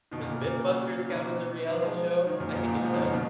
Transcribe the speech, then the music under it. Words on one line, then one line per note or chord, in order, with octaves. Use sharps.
Does MythBusters count as a reality show? I think it does.
B2 D#3
A#2 C#3
A#2 C#3
B2 D#3
D#3 F#3
F3 G#3
D#3 F#3
A#2 C#3
A#2
G#2 B2
C#3 F3
C#3 F3
B2 D#3
A#2 C#3
B2 D#3